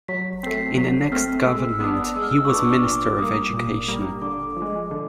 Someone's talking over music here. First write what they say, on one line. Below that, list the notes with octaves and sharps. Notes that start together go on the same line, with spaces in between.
In the next government, he was Minister of Education.
F#3 B6
A3 C4 B6 C7
C7
F#3 B6
A3 C4 F6
G#3 E6
B3 D4 D#6
G#3 E6
F6
E6
C#6
B3 D4 D6
A#2 D6
G3 A#3 D#6
A#2
G3 A#3
D3 D6
F3
G#3
D3